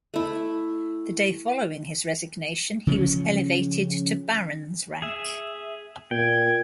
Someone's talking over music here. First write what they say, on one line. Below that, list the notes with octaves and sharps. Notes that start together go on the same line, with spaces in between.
The day following his resignation, he was elevated to barons' rank.
A3 E4
C#3 F3 C4 C#4
G#4 E5
A#2 G5 G#6